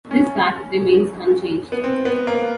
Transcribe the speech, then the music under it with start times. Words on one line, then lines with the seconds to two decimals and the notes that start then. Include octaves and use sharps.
This fact remains unchanged.
0.11 C#4
1.72 B3
1.84 C4
2.05 B3
2.27 A#3